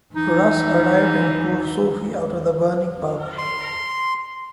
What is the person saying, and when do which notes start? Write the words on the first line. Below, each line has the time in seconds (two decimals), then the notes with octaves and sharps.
Russ arrived and pulled Sophie out of the burning pub.
0.15 E3 D#4
3.38 C6